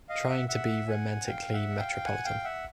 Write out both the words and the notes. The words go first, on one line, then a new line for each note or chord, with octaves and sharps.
Trying to be romantically metropolitan.
D#5 F5
E5 F#5
E5 F#5
F#5 G#5
F5 G5
E5 F#5
F5 G5
F#5 G#5
F5 G5
E5 F#5